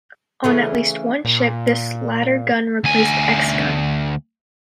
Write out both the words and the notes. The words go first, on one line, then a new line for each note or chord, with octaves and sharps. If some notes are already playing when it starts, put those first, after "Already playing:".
On at least one ship, this latter gun replaced 'X' gun.
C#3 E3 A3
A#2
D2 G#5